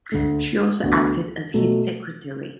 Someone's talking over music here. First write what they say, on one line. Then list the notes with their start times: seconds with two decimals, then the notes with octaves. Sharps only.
She also acted as his secretary.
0.12 D2 D3 A3
0.83 D2 D3 B3 F#4
1.54 B2 F#3 A3